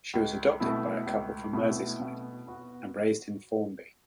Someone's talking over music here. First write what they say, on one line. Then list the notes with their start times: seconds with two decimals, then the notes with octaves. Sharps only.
She was adopted by a couple from Merseyside and raised in Formby.
0.14 C#2
0.60 B2 A3 E4
1.07 C#2
1.53 B2 A3 E4
2.00 B2
2.47 B3 F#4